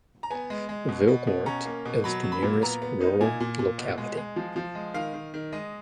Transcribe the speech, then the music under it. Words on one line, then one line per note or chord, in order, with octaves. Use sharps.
Vilgort is the nearest rural locality.
A#5
B3 G#5
G#3
G#3
B2
B2
B2
C#4 A#5
A#3
B2
F#3 B5
F#3
B5
A#2
B3 A#5
B3
D#4
A#2 G#5
A#2
A#2
B2
G#3
G#3
F3
F3
G#3
D#3 F5
D#3
D#3
G#3 D#5